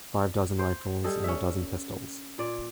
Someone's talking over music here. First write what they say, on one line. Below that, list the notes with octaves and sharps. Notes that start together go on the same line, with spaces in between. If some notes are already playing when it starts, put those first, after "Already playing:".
Five dozen rifles and a dozen pistols.
C5
G3 G#4 A4 D#5
C#4 E5
A#2 D5